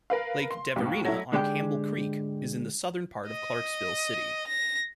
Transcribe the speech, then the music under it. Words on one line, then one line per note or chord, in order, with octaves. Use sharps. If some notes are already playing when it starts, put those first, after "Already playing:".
Lake Deverina on Campbell Creek is in the southern part of Clarksville City.
A#4 B4 F5
C6
D#2 A2
F#3 A3 E4
G#2 D3 G#3 G4 A#4 G5
D#5
A#6